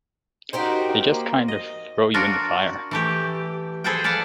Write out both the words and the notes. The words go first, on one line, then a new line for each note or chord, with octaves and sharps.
They just kind of throw you in the fire.
D#4 F#4 G4 A#4 C5
A#3
D#5
D4 F4 F#4 A#4
E3 A3 G4
G#4 A4 B4 C5 G5
B4 D5 F5 F#5 A5